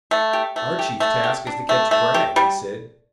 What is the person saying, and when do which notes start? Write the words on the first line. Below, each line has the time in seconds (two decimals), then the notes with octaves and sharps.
"Our chief task is to catch Bragg," he said.
0.11 A3
0.33 G4
0.56 A3
0.79 G4
1.00 A3
1.24 G4
1.47 D4
1.69 A3
1.91 A3
2.14 G4
2.36 G3